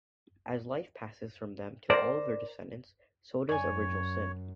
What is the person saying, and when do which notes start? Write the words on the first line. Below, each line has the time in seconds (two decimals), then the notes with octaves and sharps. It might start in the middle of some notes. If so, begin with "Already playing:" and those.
As life passes from them to all of their descendants, so does original sin.
1.90 A#4 C5 D5
3.49 F#2 C#5 D5 G#5